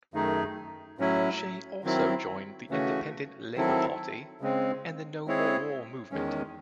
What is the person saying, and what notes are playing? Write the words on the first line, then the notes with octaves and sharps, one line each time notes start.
She also joined the Independent Labour Party and the No More War Movement.
F#2 D#3 A3 D#4 G#4
A2 F#3 C#4 E4
D#3 F#3 C4 E4
C#3 E3 A3 C#4 F#4
D#3 F#3 C4 E4 A4
C#3 G#3 C4
G#3 C4 E4 G#4 C#5
E2 D#3 G#3 C#4